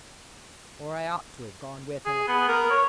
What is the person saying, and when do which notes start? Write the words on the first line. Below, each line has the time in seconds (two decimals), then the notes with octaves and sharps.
Or I ought to have gone with her.
2.06 G#4
2.27 B3
2.48 A#4
2.70 C#5